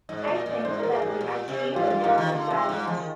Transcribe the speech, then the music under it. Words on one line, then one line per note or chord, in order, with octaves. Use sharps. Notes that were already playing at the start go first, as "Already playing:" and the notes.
I think that we achieved the perfect balance.
G#2 D#5
A#2 D5
D#5
A#2 D5
G#2 C5
A#2 A#4
G#4
G#2 G4
A#2
C3
G4
G#2 F4
G2
G#2 D#4
D#3
D3
C3
G#2
F3
D#3